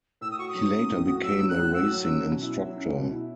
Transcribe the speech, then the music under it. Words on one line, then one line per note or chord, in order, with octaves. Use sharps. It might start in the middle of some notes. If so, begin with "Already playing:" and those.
He later became a racing instructor.
A2 E6
D#6
F#4 C#6
D#6
F#3
C#4
A2
F#4
F#3 E6
C#4
F#6
A2
F#4 E6
F#3
E6
C#4
B2
E4
F#3
C#4
B2
E4